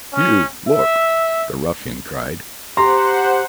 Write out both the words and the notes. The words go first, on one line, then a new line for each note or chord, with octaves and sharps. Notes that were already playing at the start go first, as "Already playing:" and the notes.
"You, look!" the ruffian cried.
C#4
E5
G4 C5 F#5 A#5 C6